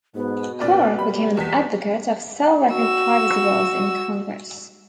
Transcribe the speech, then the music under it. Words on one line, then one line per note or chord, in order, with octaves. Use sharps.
Clark became an advocate of cell record privacy bills in Congress.
G#2 B2 B3
F1 A#2 C#4 D5
G3 A#3 B5
E2 B6
F#4 E6